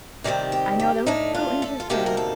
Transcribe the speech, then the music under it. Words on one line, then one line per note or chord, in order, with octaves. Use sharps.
I know that was so interesting.
C3 D#3 G3 C4 D5
G4
G4
A2 A3 D4 D#4
F4
A4
F4
D2 C3 D#3 A#3 D4 G4
A#4
A4